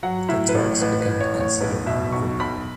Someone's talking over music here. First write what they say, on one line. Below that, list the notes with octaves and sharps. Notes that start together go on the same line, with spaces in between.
The Turks began to consider removing him.
F#3 F#5
A2 E5
B4
A1 C#5
A1 B4
B4
A2
C#5
A1
C#5
B1 B4
B2 E5
B1 C#6
B1 B5